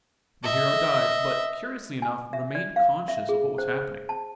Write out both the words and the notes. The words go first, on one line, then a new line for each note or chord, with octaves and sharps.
The hero died, but, curiously enough, remained conscious of what was happening.
D#5 E5
G#5
E5
D5
F5
E5
G#4
C5
A5